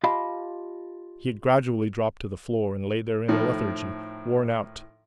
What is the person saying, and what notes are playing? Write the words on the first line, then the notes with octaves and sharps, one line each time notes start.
He had gradually dropped to the floor, and lay there in a lethargy, worn out.
F4 G4 D#5 F5 A5 B5
A2 D#3 F3